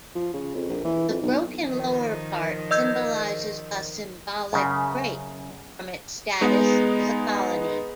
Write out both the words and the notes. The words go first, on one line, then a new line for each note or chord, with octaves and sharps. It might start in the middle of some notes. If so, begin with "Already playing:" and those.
The broken lower part symbolises a symbolic break from its status as a colony.
F3
C#3
F2
A#1
E3
F2
B1
D#3 F3
D#5 E6 G6
F#2 C#3
G#3 B3 D#4